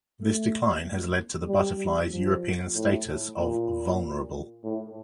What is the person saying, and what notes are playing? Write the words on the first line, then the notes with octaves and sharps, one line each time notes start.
This decline has led to the butterfly's European status of "vulnerable".
A3
G3
F3
A2
A#2
A2